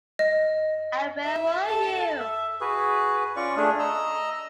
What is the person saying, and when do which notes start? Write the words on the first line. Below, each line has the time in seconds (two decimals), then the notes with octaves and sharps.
And where were you?
0.19 D#5
1.25 E5
1.66 A4 A5
2.20 E5
2.61 F#4 G#4 B4
3.36 C#4 F4 D5 C#6
3.57 A3 D4 G#4
3.79 D#5 A#5 E6